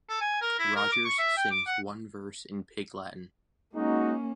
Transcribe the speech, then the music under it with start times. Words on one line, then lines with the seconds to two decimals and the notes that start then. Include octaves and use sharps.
Rogers sings one verse in Pig Latin.
0.09 A4
0.21 G#5
0.42 A#4
0.59 E4
0.76 A#4
0.92 D6
1.05 C#6
1.18 E5
1.37 G5
1.51 D6
1.67 F#5
3.75 G#3 A#3 C#4 D#4 F#4